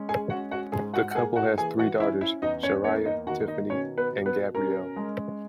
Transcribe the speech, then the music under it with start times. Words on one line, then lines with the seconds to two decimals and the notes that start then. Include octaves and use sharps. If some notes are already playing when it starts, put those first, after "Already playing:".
The couple has three daughters: Sharayah, Tiffany, and Gabrielle.
Already playing: G#3 C#4
0.09 G#4 G#5
0.30 C#4 F#4 F#5
0.51 F#4 F#5
0.72 G#2 G#4 G#5
0.94 F#4 F#5
1.11 F#5
1.15 A#3 G#4 G#5
1.36 F#4 F#5
1.58 E3 G#4 G#5
1.79 F#4 F#5
2.00 C#4 E4 E5
2.21 E4 E5
2.42 E2 D#4 D#5
2.63 C#4 C#5
2.84 A#3 C#4 C#5
3.05 D#4 D#5
3.27 D#3 F#4 F#5
3.48 D#4 D#5
3.69 B2 C#4 C#5
3.98 B3 B4
4.12 B2
4.26 B3 B4
4.55 C#4 A#4
4.96 G#3